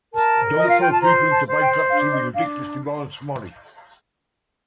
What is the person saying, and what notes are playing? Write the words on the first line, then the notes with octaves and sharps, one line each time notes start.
Don't throw people into bankruptcy with ridiculous demands for money.
A#4 A5
F4 D#5
F5
G5
A5
C5 A#5
A5
C5
G5
D4 F5
D#5
D4 F5